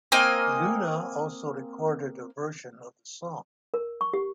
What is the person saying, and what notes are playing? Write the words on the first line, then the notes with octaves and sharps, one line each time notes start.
Loona also recorded a version of the song.
A#3 C4 D#5 G#5
A#4
C#6
G4